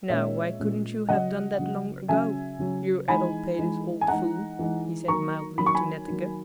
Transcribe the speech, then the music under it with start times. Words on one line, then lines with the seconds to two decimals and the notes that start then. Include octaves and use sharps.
"Now, why couldn't you have done that long ago, you addlepated old fool," he said mildly to Netteke.
0.09 A#2 G#3 C#4 C#5 E5
0.59 A#2 G#3 C#4
1.09 C#3 F#3 C#4 D#5 F#5
1.59 C#3 F#3 C#4
2.08 C#3 F#3 C#4 E5 G#5
2.59 C#3 F#3 C#4
3.08 E3 G#3 D#4 G#5 B5
3.58 E3 G#3 D#4
4.01 G#5
4.08 E3 G#3 D#4 F#5 A#5
4.59 E3 G#3 D#4
5.08 D#3 F#3 A#3 A#5 C#6
5.58 D#3 F#3 A#3 B5
5.66 C#6
5.75 G#5 B5
6.08 D#3 F#3 A#3